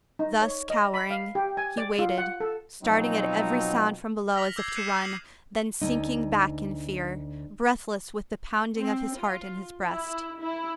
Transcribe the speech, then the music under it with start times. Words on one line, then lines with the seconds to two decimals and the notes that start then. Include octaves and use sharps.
Thus cowering, he waited, starting at every sound from below as if to run, then sinking back in fear, breathless with the pounding of his heart in his breast.
0.19 D#4
0.42 C#5
0.70 D#5
0.94 B5
1.10 F5
1.35 G4
1.57 G#5
1.78 D5
1.99 F4
2.18 F#5
2.40 A4
2.83 B2 F3 F#3 C4 D#4
4.35 F6 A#6 B6 F7 F#7
4.56 D6 E6 G6 G#6 C7
4.76 F#6 C7 C#7 D#7 E7
5.04 D#6 G6 C7 F#7
5.81 D2 D#4
8.78 C4
9.18 F4
9.82 E4
10.41 E4